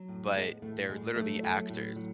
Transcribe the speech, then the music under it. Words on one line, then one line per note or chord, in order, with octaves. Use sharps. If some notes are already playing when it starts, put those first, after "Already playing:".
but they're literally actors.
Already playing: F#3
A2
A2 G#3 B3
A2 A3
A2 G#3
F#3 A3
F#3
A2
F#3